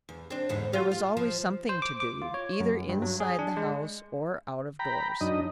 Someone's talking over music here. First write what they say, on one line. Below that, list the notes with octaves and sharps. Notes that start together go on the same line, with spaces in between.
There was always something to do, either inside the house or out-of-doors.
E2
C4 D4
E2 G#2 D3
F4 G4
F4
F3
C5
D6
D6
F4
C#5
F#2
G2
F#3
G#4
D4
G#3
G5 A#5 B5
F#2 D4 D#4 D#5